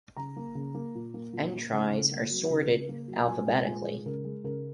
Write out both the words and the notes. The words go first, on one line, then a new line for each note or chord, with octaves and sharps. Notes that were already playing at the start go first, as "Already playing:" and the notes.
Entries are sorted alphabetically.
C#3 A#5
A#3
C#3
A#3
A#2
A#3
A#2
A#3
C#3
C#3
A#3
F#3
C#3
C#3
A#3
F#3
A#2 G#5
G#3 G#5
A#2 G#5
G#3 G#4
C#3 A#4
G#3
C#3 A#4